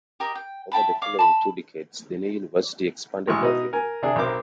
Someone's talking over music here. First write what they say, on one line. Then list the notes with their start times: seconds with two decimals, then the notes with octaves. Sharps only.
Over the following two decades, the new university expanded rapidly.
0.20 G4 A#4 D#5
0.35 G5
0.72 E5 G5 A5 B5
1.01 C#5 D5 F5 D6
1.19 A5 B5
3.27 A1 G#3 C#6
3.41 B2 B3 D#4
3.73 A#4 G#5
4.02 C3 D4 G#4
4.16 B1 C4 A#4 D6